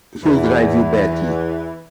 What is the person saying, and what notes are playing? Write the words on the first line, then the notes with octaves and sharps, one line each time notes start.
He'll drive you batty!
E2 E3